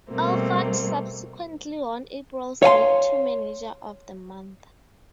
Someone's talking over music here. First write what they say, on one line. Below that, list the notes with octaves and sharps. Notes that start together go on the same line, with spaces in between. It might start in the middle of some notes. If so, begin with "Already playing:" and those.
Awford subsequently won April's League Two Manager of the Month.
B2 G3 A3 A#3 C4
C#5 F5 G#5 C6